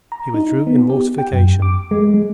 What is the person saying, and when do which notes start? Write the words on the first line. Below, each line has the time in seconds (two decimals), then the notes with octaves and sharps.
He withdrew in mortification.
0.12 A#5
0.34 D#4
0.67 B3
0.90 G4
1.18 G5
1.32 F#2
1.62 D6
1.91 G#3
2.14 G#3